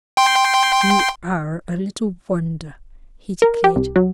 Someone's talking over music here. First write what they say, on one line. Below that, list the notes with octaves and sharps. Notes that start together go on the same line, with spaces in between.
"You are a little wonder," he declared.
G5 C6
A#4
G4
C2
F#3